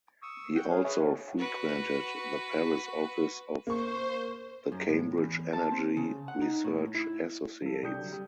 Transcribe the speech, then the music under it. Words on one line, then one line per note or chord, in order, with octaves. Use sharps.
He also frequented the Paris office of the Cambridge Energy Research Associates.
C#6 D#6 E6
F#5 G5 G6
G#4 C#5 F5
G#4 B4 C#5 E5 G#5
F#4 B4
A#3 C5 C#6
F#2
A2
E2
A5
C4
C#3
F#5
D#4
A2
E4
F3 A4
C2 D4 G4 D#6 G6 C#7
D3 F#3
G3